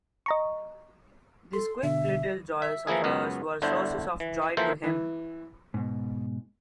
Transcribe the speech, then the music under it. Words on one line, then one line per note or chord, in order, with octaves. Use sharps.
These quick little joys of hers were sources of joy to him.
D#5 A#5 C#6
A4 C6
B2 D3 E5
A#6
E5
E3 F3 A#3 E4 G#4
C#2 F#2 B3
G1 D3 D4 E4 C5
E3
E3 F3 A#3 A4 C5 E5
E3
G#2 B2